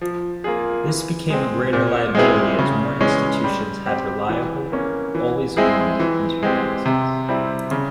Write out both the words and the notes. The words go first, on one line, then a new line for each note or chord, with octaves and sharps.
This became a greater liability as more institutions had reliable, "always-on" Internet access.
F3
A#3 F4 G#4
E3
G#3 C4
A#2
G#3 C4 E4 G#4
C#3
E3 G#3 C#4
G3
C4 G4
E3
A#3 C#4
E3
G#3 C4 E4 G#4
E3
G#3 C4 G4
C3
G3 C4 E4
C#3